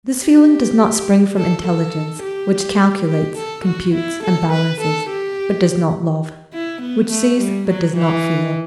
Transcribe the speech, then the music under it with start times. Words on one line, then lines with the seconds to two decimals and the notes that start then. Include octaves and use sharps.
This feeling does not spring from intelligence, which calculates, computes, and balances, but does not love; which sees, but does not feel.
0.22 G4
1.37 A4
1.66 A4
2.23 G4
3.09 G4
3.38 A4
3.66 F#4
3.94 E4
4.24 A4
4.53 B4
4.81 A4
5.10 G4
6.53 E4
6.82 B3
7.11 A3
7.39 G3
7.68 F#3
7.97 E3